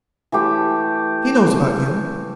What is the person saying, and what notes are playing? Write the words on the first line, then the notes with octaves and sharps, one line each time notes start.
He knows about you.
E3 A3 G4